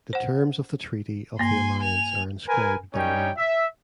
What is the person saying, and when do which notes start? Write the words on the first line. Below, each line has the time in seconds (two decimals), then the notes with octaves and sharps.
The terms of the treaty of the alliance are inscribed therein.
0.13 C5 F#5
1.39 G2 A#3 G#5 C6
1.82 G#5 F7
2.48 A#4 B4 G#5
2.94 G3 C#4 D#4 C#5 G5
3.37 E5